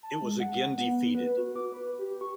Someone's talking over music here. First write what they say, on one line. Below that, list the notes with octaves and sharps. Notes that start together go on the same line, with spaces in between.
It was again defeated.
A5
G#3
F#5
B3
B4
F#4
D6
B4
G4
C#6